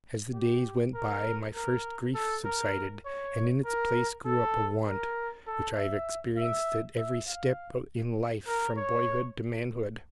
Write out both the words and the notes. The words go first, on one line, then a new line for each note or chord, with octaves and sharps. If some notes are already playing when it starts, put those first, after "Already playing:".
As the days went by my first grief subsided, and in its place grew up a want which I have experienced at every step in life from boyhood to manhood.
G4
A#4
A#4
A4
A#4
C#5
A#4
A4
A#4
A4
E5
E5
E5
F5
A#4
C#5